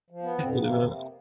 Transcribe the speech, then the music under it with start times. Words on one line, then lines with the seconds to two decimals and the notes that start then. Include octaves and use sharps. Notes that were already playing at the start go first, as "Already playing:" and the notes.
You know?
0.10 F3
0.22 B3
0.35 F2 C4
0.49 B3
0.60 C3 A#3
0.84 C3